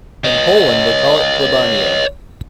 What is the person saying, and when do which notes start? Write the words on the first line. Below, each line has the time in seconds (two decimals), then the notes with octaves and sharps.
In Poland they call it "Plebania".
0.24 C#5 D#5